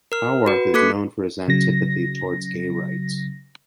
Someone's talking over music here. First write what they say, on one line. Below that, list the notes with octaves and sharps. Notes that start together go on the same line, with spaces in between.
Howarth is known for his antipathy towards gay rights.
A#4 F6
F#4 B4
A#3 A4 D6 F#6 B6 C#7
C#3 F#3 A#6